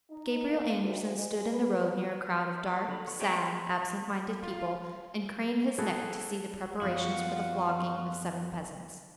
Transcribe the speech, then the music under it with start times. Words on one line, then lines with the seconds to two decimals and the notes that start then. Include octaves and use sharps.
Gabriel Andersen stood in the road near a crowd of dark, sad, absent-minded people and craned his neck to see the preparations for the flogging of seven peasants.
0.10 D#4
0.49 A#3
0.82 D2
1.16 G#3
1.51 B4
2.58 E5
2.88 D3 A4 C#5 B5
3.07 F3 B3 C#5 C#6
3.20 A3 A#3 C4 G4 G#4 C#5 D#5
4.40 F4
5.78 E4 F#4 G#4 A4
6.82 F#2 F3 B3 F4 F#4